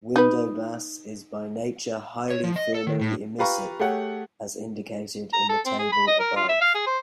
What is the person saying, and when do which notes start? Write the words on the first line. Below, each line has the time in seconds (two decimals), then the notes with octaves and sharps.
Window glass is by nature highly thermally emissive, as indicated in the table above.
0.16 D#4 B4
2.30 C#5
2.44 F3
2.56 D#5
2.75 A4
2.87 D#3
3.01 A2
3.38 F4 G4 B4 F5 A#5 C#6
3.79 A3 G4 G#4 C#5 F#5
5.33 A#5
5.49 A4
5.66 C4
5.79 G#4
5.92 B5
6.07 D#5
6.20 A#4
6.36 F4
6.49 E5
6.61 F5
6.75 G#4
6.86 C5